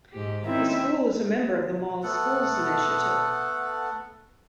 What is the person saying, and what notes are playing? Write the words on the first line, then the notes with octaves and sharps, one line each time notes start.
The school is a member of the Model Schools initiative.
G#2 G4
D#3 C4 C#4 D#4 E4 E5
A3 B3 A4 F#5